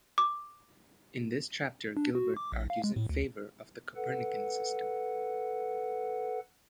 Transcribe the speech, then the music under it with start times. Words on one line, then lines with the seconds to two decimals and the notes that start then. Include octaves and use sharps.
In this chapter Gilbert argues in favor of the Copernican System.
0.18 D6
1.97 D4
2.15 F#4
2.37 D6
2.52 A#1
2.70 F5
2.84 G#3
2.96 A2
3.09 D2
3.96 A4 B4 F#5